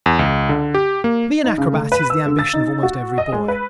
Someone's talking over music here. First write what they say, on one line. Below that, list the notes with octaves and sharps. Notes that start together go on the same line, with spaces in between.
To be an acrobat is the ambition of almost every boy.
E2
C#2
D3
G4
A#3
D#4
C#3
A3
B4
E6
D3
A6
D#4
F#4
D#5
G#3
B4